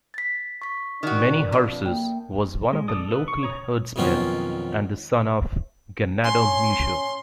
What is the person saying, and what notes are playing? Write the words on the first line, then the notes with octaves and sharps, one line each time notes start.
Many Horses was one of the local herdsmen and the son of Ganado Mucho.
A6 B6
C#6 B6
D#3 D4 F#4
F2
A#3 G5
G#3
A4 D5 D#6
A4 B4
C#6
C#5 A#5 D#6
B1 F2 D#3 B3 C#4 F4
C#4 C#5 G#5 C6